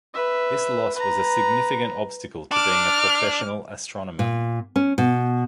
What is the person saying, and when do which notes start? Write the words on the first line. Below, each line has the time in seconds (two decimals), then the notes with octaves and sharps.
This loss was a significant obstacle to being a professional astronomer.
0.14 B4 E5
0.95 B4 A#5
2.51 D4 D6 F6
4.19 A#2
4.76 C#4
4.98 B2